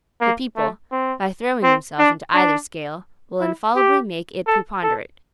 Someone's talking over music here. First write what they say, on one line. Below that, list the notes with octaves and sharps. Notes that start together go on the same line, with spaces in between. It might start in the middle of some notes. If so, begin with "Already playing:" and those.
The people, by throwing themselves into either scale, will infallibly make it preponderate.
A#3
A3
C4
C4
D4
D4
E4
G4
A4
A4